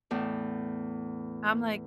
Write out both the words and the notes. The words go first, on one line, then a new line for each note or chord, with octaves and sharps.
I'm like
E2 A2